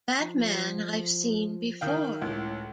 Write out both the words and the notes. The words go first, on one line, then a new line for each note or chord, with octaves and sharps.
That man I’ve seen before.
F3
D#3 F5 G5
C#2 A2